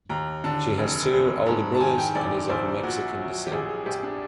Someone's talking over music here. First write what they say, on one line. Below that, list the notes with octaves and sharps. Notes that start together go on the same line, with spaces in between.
She has two older brothers and is of Mexican descent.
D#2 A#5
D3 A5
F1
F1
G#2 A5
A5
D#3 G#5
G5
A#1 D5
A#1 C5
A#2 F#4
F#3
G4
A#1 G#4
G#4
A#1 G4
D4